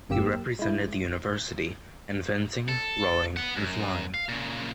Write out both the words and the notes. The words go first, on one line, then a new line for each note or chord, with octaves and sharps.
He represented the university in fencing, rowing and flying.
G1 F#2 A#3 G4 E6
G#3 E4
A4
B3 F#5
F#2
F5
A#2 C#3